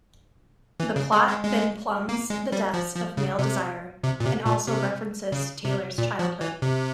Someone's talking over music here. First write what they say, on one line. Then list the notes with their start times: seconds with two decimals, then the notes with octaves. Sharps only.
The plot then plumbs the depths of male desire, and also references Taylor's childhood.
0.80 E3
0.96 C#3
1.12 G#3
1.29 G#3
1.44 G#3
2.09 A#3
2.30 G#3
2.52 G3
2.73 F3
2.95 F3
3.17 C#3
3.39 C3
4.04 C3
4.20 A#2
4.25 C3
4.46 A#2
4.67 C3
5.32 C#3
5.65 C3
5.98 A#2
6.19 F3
6.41 E3
6.62 C3